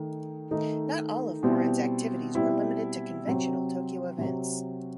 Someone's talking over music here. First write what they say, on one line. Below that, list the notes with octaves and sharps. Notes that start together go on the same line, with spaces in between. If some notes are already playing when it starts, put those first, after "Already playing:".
Not all of Warren's activities were limited to conventional Tokyo events.
Already playing: D#3 A3 D#4
D#3 A3 D#4
B2 G3 C4 E4
B2 G3 C4 E4
C3 F#3 C4
C3 F#3 C4